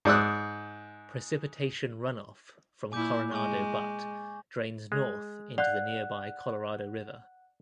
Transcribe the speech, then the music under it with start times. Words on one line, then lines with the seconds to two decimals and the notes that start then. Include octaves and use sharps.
Precipitation runoff from Coronado Butte drains north into the nearby Colorado River.
0.05 G#2 D5 D#6 E6 F#6
2.92 A#2 E4 G#5 D6 G6
3.31 G#3 G#5 C#6
4.92 G#3
5.58 D5 F5 F#5 F#6